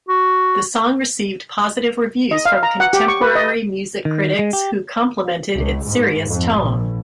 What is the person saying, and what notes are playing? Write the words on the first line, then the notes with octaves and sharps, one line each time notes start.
The song received positive reviews from contemporary music critics, who complimented its serious tone.
F#4
D#5
F5
A#5
F#5
G4
C#6
B4
D#5
D#3
G#3
G4
C#2
G#2
F2
A#1